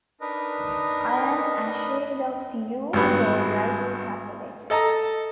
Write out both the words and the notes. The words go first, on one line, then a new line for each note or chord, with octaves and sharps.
I am ashamed of you for writing such a letter.
D4 D#4 A#4 B4 D#5
G#1 G2 B3
A4 D#5 A5 A#5